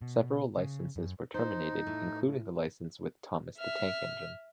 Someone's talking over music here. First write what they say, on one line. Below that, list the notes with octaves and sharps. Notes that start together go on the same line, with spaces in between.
Several licenses were terminated including the license with Thomas the Tank Engine.
B2
C#3
F#2
D#4 C5
A2
E5 F6